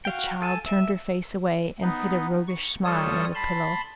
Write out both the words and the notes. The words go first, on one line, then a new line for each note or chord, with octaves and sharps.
The child turned her face away, and hid a roguish smile in the pillow.
F#4 F5 G5
A4 G#5 A5
E5
B3 D#4
C#6
G3 F4 A4 C#5 D#6 E6
A5 B5 C6